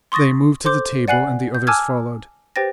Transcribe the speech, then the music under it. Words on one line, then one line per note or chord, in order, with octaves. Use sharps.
They moved to the table and the others followed.
C6 C#6 D#6 A6 A#6
A4 C5 C6 D6 G6
D5 F#5 G#5 F#6 C7 F#7
G6
G#5 A5 D6 E6 F6 G#6
G4 B4 C5 G5 A6 A#6